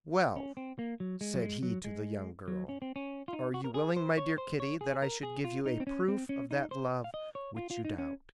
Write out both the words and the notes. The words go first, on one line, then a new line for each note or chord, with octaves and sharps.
"Well," said he to the young girl, "are you willing, my dear Kitty, that I should give you a proof of that love which you doubt?"
C#4
C4
A#3
F#3
G#3
F#3
G#3
F#3
G#3
F#3
C#4
C4
C#4
F4
D#4
F#4
A#4
G#4
C5
C#5
C5
C#5
G#4
A#4
G#4
F4
D#4
C4
C#4
C4
C#4
D#4
C5
F5
D#5
C#5
F4
F4
D#4
C#4